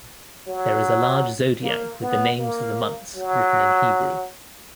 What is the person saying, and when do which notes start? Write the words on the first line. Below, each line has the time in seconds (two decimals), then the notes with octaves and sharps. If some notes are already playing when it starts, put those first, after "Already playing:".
There is a large Zodiac with the names of the months written in Hebrew.
0.47 F#3
1.62 A#3
2.01 B3
2.39 A#3
3.15 F#3